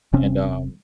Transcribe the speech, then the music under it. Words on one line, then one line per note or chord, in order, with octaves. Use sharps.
And, um
E1 C3 C4 C#4